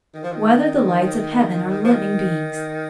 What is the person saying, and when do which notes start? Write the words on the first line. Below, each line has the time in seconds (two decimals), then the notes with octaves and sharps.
Whether the Lights of Heaven Are Living Beings?
0.14 D#3
0.23 F3
0.33 D#3
1.84 F3
1.92 D#3